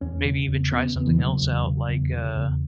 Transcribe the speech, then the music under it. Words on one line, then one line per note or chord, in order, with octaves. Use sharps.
maybe even try something else out like, uh
E2 C#4
C#3
E2
C#3 B3
E2 B3
E3
C#3 F#3
E2
C#3
E2
C#3
E2